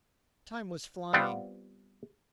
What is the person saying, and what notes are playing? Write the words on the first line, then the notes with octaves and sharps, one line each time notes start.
Time was flying.
G3 B3 C4 F4 D5 F#5